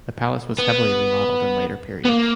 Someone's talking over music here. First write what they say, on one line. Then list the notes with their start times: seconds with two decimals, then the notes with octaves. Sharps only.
The palace was heavily remodeled in later periods.
0.58 B3
2.05 B3
2.09 A#3